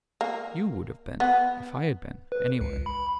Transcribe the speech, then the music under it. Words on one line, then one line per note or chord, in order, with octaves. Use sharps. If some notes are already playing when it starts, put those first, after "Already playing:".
You would have been if I had been, any way.'
A#3
B3
B4
C#2
B5